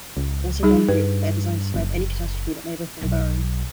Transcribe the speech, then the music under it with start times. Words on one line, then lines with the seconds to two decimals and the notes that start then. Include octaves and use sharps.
Also bomb-proof, they are designed to survive any catastrophe that may befall their owner.
0.17 C#2
0.63 G3 D#4 G#4
0.89 G2 B4
1.74 F#1
3.01 B1 F#3